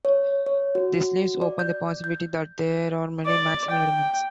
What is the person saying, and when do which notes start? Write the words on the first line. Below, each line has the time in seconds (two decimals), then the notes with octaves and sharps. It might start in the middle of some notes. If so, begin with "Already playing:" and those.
This leaves open the possibility that there are many maximal elements.
0.05 C#5
0.46 C#5
0.75 F#4
1.42 D5
1.59 G6
2.04 G6
3.25 D5
3.70 G5